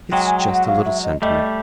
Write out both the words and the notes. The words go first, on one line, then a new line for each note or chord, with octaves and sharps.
It's just a little sentiment....
F#3 G#3 G5
G#5
G5
F#5
F5
E5
D#5
G3 A3 D#5